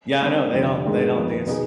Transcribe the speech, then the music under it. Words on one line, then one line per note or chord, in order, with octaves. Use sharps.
Yeah. I know, they don't they don't the ins
D#3 G3 C4 G4 C5
F2 D3 G3
G#2 D#3 G#3 D4
F2 D#3 B3
B2 B3 D#4 G#4